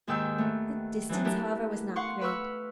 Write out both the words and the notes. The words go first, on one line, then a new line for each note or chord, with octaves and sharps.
The distance, however, was not great.
D#2 G#2 D#3 G5 E6 G6
A3 B3
E3 F#3 D4 D#4
A3 B3 D4 E4 G4 A#4
F5 F#5 C6 C#6
B4 B5 C#6 E6 F6